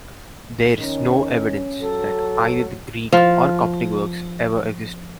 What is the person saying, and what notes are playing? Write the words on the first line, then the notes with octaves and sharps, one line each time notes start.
There is no evidence that either the Greek or Coptic works ever existed.
D#3 C#4
F#3 A4
F3 F4